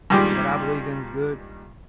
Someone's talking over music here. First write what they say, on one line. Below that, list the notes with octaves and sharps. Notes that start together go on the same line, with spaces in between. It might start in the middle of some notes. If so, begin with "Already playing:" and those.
What I believe in is good
G2 A#2 D#3 G3 G#3 G4